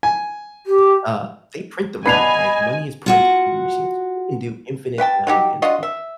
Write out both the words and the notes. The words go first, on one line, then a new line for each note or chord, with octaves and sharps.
uh, they print the money, right? The money is printed from machines, so they can do infinites amount of it, and so
G#5
G4
B3 D4 B4 D#5 G#5 B5 C7 F7
F4 F#4 F#5
B4 E5 G5 A5
F#3 D#4 G4
D4 F4 F#4 D#5
E5